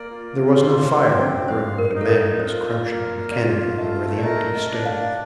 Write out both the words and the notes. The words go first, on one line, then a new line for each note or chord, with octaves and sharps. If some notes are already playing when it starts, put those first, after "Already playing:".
There was no fire in the room; but a man was crouching, mechanically, over the empty stove.
Already playing: A#3 D5
F4
C5
C4
C5 F5
A#4
D#4
A4
A#4
F4 C5
A#3
F4 D5
A3 D#5
D5
A#4 D#5
D#5
D4
F5